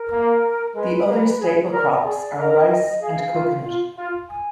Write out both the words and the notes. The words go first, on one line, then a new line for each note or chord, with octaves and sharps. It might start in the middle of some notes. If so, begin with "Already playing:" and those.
The other staple crops are rice and coconut.
Already playing: A#4
A#3
G#3 B4
A#3
G#4
A#4 D5
G#4
A#4 D#5
G#4 F5
F4
F4
F4
G#5